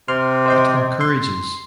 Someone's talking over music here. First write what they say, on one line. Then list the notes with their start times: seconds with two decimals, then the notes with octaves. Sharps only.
It encourages.
0.08 C3 C6 F6
0.46 C5 D#5 C6
1.01 C6